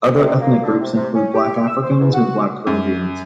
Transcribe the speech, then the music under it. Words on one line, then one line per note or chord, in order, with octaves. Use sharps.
Other ethnic groups include Black Africans and Black Caribbeans.
C3
A#3
D3
C3
C3
C#4
G4
E6
C5
E2
F#4
F#2